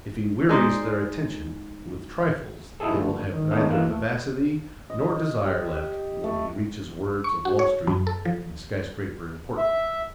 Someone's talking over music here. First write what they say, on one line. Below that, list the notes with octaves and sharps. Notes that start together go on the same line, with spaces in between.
If he wearies their attention with trifles they will have neither vivacity nor desire left when he reaches words of Wall-Street and skyscraper importance.
G#3 D#4 C5 D5
D#4 E4 F#4 G#4 A4
F2 D3 A3
D#3
D#3 G#3 A3 B3 D4 D#4
E3 A#3 F#6
A3
D#5
G4
A3
C#6
F#4
C#5
F#2
A4
F3
E5